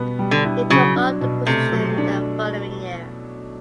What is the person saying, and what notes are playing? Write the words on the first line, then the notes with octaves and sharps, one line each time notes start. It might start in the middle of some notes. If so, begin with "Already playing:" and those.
He took up the position the following year.
Already playing: B2 G3 B3
G3
D3
E4
C#3 F#3
D4
B2
C3 A3
F#3
D4